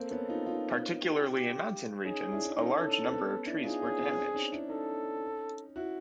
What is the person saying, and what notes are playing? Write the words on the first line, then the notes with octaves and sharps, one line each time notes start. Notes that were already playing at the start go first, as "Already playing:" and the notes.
Particularly in mountain regions, a large number of trees were damaged.
Already playing: A#3 C4 A4
B3 C#4
D#4 F4
D#4 F4
G4
C#4 D#4 G#4
D4 E4
C#4 D#4
C#4 D#4 A4
C4
B3 C#4
D4 E4
D#4 F4 G#4
C#4 D#4
B3 C#4
C4 D4
C#4 D#4
D4 E4
C#4 D#4 A4
E4 F#4